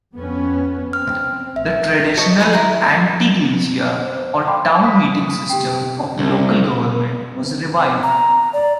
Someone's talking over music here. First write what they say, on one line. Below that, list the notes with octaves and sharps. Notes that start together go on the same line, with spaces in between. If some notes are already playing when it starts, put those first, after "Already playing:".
The traditional "anteiglesia" or town meeting system of local government was revived.
F2 B3 C#4
C4 F6
A1 E5
A4 C#5 D#5 D#6
B4 C5 G#5 B5
E4 A#5 C6
C5
F5 G5 A5 B5 C6 D6
B5 D#6 B6
G4 G5
C2
A#5
D5